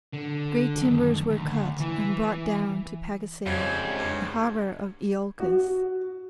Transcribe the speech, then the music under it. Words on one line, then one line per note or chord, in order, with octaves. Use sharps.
Great timbers were cut and brought down to Pagasae, the harbor of Iolcus.
D3
F#2 D#3
D2
E3
F2 G#2 C#3 G3 C#5
G2
F#4